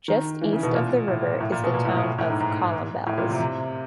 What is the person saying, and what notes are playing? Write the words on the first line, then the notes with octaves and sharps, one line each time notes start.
Just east of the river is the town of Colombelles.
D#3
E3
C#3
B2
A#2
A2
A2
A#2
B2
A#2
A2
A2
A2
G#2
G#2
A2
A#2
C3
C3